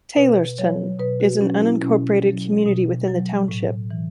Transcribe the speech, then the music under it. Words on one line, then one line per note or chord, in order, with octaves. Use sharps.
Taylorstown is an unincorporated community within the township.
B2 B4
F#3 C#5
B2 B4
F#4
F#3 C#4
E4
B2 C#4
F#3
B2
F#3
A2
E3